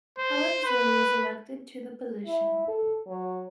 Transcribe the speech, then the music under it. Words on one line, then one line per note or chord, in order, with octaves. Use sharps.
Helen Zille was elected to the position.
C5
B4
E4
A4
F#3